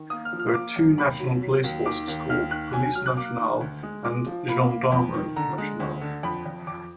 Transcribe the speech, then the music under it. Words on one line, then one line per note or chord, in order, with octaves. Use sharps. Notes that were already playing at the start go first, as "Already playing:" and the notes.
There are two national police forces called "Police nationale" and "Gendarmerie nationale".
Already playing: D#3
A#3 D#6
F6
F3
F6
A#3 D6
F#2
D#2 B5
F#3
F#3
D#2
D#3 D6
D#2
D#2 F6
D#3 F#6
F#3 G#5
G#5
F#3 F6
F#6
A#3 D6
D#3
D2
G#3
G#3 D6
F3
A#3 B5
A#3
F2
D#3
D3 A#5
G#3
D2
D3
F2 B5
F2
F2 D6